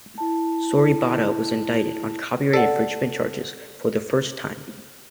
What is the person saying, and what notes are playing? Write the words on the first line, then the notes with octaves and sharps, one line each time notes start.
Soribada was indicted on copyright infringement charges for the first time.
E4 A5
A4 D5 F#5